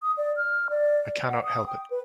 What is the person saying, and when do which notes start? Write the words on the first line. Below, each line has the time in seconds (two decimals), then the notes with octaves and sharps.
I cannot help it.
0.02 D#6
0.17 D5
0.37 F6
0.70 D5
1.29 F#5
1.44 D#6
1.67 G5
1.90 B4